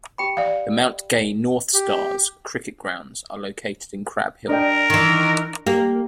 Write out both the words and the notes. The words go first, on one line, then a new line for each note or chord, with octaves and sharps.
The Mount Gay North Stars cricket grounds are located in Crab Hill.
G4 G5 B5
D5 F5
G4
D4 A#4 D#5 G5
D#3 E3
A#3 G4